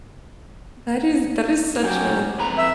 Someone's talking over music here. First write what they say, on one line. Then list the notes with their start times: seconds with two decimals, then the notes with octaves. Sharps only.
That is that is such a
1.83 F#3 C#4 G4
2.39 F2 B4 A#5
2.58 E5